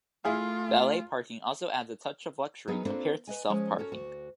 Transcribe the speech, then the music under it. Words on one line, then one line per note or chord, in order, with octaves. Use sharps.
Valet parking also adds a touch of luxury compared to self-parking.
A3 E4 F4 G#4 F5
F#3 B3 D#4 G#4 A#4 B4
A#3 C4 D4 F4 A4 B4
B4 D#5 G#5
F3 G#3 C#4
C#4 F#4 A4 A#4
D2 F#4